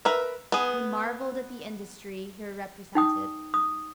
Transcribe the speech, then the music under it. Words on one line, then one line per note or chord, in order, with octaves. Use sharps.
He marvelled at the industry here represented.
A#4 B4 E5
B3 G#4
D#4 G5 D#6
D#6